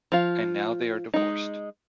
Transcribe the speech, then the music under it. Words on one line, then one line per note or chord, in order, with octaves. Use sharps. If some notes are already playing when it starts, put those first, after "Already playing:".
And now they are divorced.
F3 F4
G#3 D#4